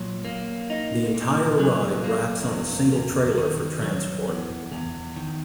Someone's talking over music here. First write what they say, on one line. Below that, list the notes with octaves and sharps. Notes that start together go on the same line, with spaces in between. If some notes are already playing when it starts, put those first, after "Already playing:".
The entire ride racks on a single trailer for transport.
Already playing: A#2 F#3
A#3
D#4
A#2
F#3
A#3
E2
E2
D#3
F#3
E2
E2
D#3